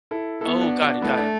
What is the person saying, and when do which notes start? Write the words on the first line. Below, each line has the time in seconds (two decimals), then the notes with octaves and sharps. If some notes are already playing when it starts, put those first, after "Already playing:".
Oh, got it, got it.
0.11 E4 A4
0.41 B3 E4 A4
0.61 D4 F#4
0.81 D4 F#4
1.02 A3 B3 E4
1.13 B3
1.18 D4